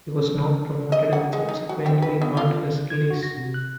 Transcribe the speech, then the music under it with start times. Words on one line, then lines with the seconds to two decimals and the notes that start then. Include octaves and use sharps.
He was not promoted and subsequently earned his release.
0.92 D#5
1.13 F#5
1.33 G#3
1.49 D#4
1.69 F#4
1.86 C4
2.02 B4
2.22 B3
2.37 F4
2.90 G#6
3.10 F#4
3.23 A#6
3.38 C3
3.54 F#6